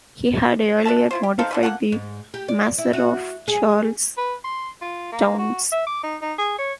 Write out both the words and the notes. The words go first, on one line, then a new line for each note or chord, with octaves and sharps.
He had earlier modified the maser of Charles Townes.
D4 E5 A5
E4 F4 C5
G4
D#4 A4 C5 F5
D3 E3 B4
A#3 C#4 A4 F#5
G#2
G4
D5
E4
F#4
G#4
B4
C6
F4
A#3
F#4
E5
D6
D#4
D#4
G#4
C#5